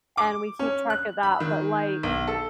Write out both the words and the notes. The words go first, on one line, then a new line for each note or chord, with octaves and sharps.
and we keep track of that, but, like,
D6
C#4
F#6
B5
D#3
B1
A4